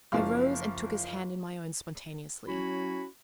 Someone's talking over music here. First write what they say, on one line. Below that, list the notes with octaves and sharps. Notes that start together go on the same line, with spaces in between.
I rose and took his hand in my own spontaneously.
F#1 F3 F5
F#3 C#4 E4 F#4 B5